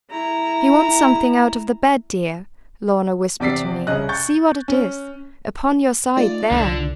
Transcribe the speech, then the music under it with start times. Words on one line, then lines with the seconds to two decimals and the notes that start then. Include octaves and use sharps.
'He wants something out of the bed, dear,' Lorna whispered to me; 'see what it is, upon your side, there.'
0.11 E4 A#5
3.40 E2 C3 D5 B6 C7
3.87 C2 C#3 D#5 F#6
4.09 C#6 G6 A6
4.68 C#4
6.17 A3 D#4 F4 D5
6.51 C2 D3